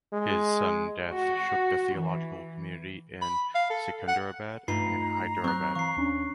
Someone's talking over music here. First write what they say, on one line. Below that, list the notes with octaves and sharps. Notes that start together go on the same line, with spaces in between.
His sudden death shook the theological community in Secunderabad and Hyderabad.
G#3
F#4
E3
B5
F5
A4
F#5
G2 A3 D#4 F4 B4 A#5 C7
F#3 C4 C#6 F#6
E3 F5 C#6 C7
D#2 C#4 D4